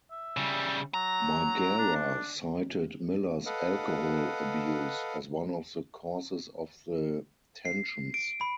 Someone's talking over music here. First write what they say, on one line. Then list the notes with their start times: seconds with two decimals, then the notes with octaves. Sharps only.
Margera cited Miller's alcohol abuse as one of the causes of the tensions.
0.11 E5
0.37 C#3 G3
0.94 F#3 A#5
1.79 D4
3.46 A4 B4 D#5 F5 F#5
7.65 C7
8.14 D7
8.41 B5